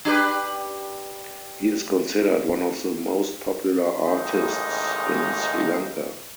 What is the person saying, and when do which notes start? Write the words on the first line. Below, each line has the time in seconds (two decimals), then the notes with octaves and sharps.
He is considered one of the most popular artists in Sri Lanka.
0.05 D4 G4 B4
4.03 A1 D#2 G#3 D#4